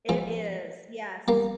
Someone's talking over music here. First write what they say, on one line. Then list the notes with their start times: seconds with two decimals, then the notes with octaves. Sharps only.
It is, yes.
0.09 F3 G#3
1.28 G3 A#3